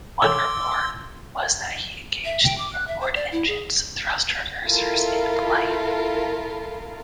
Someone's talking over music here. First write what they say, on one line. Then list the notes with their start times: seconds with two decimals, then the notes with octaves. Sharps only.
One report was that he engaged the inboard engines' thrust-reversers in flight.
0.22 A4 C#5 C6 D6 E6
2.25 E5
2.44 G5
2.58 D6
2.73 F#6
2.88 E5
3.01 C5
3.15 D5
3.32 E4
3.48 G#4
4.65 E4 F4 A4 A#4